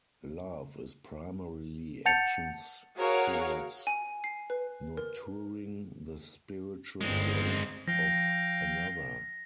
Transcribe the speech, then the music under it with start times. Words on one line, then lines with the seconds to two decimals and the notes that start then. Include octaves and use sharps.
Love is primarily actions towards nurturing the spiritual growth of another.
2.06 F#5 A5 G6 A6 C#7 F7
2.97 F#4 G#4 A#4 C#5 F5 F#5
3.87 G#5
4.24 C7
4.50 B4
4.97 A#4
7.01 G1 G2 G#3 C4
7.88 F3 F5 G5 A#6